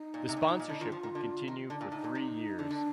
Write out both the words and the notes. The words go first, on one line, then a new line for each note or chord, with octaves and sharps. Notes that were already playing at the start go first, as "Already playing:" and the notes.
The sponsorship would continue for three years.
Already playing: D#4
A#2
C3
A#2
A2
A#2
A#2
D3
D#3 F4
F3
D#3
D3
D#3
D3
A#2
A2 D#4
A#2
C3
D3 D4
D3